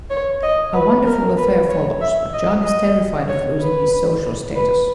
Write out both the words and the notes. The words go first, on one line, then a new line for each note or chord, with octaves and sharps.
A wonderful affair follows, but John is terrified of losing his social status.
C#5
D#5
B4
A#4
B4
C#5
E5
D#5
D#5
C#5
B4
B4